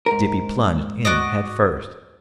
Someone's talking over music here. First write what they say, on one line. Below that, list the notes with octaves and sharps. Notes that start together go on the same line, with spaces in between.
Dippy plunged in head first.
G#2 A#4
F#4 D5 D#5